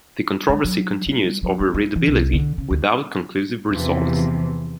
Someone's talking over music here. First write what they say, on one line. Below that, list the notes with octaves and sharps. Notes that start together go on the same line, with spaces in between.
The controversy continues over readability, without conclusive results.
G#3
F#3
G3
F#3
G3
E4
E3
C2
D3
C#3
D2
E2 C3 E3 F3